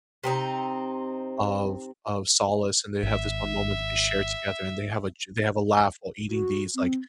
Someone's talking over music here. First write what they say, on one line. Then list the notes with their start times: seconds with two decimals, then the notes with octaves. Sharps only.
of of solace, and they have this one moment that they share together, and they have a j they have a laugh while eating these, like,
0.24 C3 C4 D#4
3.03 G#1 E5
6.30 F#4
6.75 C4